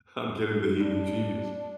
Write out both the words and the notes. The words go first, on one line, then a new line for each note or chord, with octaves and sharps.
I'm getting the heebie-jeebies.
G3 D4